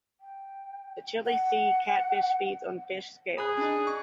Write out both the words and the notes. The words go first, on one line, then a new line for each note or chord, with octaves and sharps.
The chili sea catfish feeds on fish scales.
G5
F#5
G#4 B5 F#6
D4 D#4
C#6